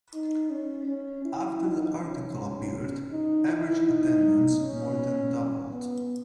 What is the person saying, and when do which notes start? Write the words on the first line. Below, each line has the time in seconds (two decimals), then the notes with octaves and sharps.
After the article appeared, average attendance more than doubled.
0.14 D#4
0.50 C#4
0.87 C#4
1.25 E4
1.62 D#4
1.99 C#4
3.10 D#4
3.48 E4
3.84 D#4
4.59 C#4
5.71 B3